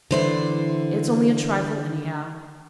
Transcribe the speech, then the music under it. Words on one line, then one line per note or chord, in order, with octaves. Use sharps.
It's only a trifle, anyhow.
D3 E3 E4 C5 D5